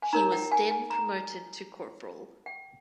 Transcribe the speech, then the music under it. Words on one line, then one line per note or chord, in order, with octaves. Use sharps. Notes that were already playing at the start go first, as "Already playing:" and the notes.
He was then promoted to corporal.
G#5
D#4 A#4 C#5 A#5
G5
G#5
G#5
A#5
G5